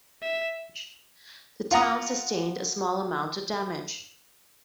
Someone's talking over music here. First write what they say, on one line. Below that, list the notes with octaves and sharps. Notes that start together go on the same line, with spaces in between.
The town sustained a small amount of damage.
E5
F4 F#5 A#5 D#6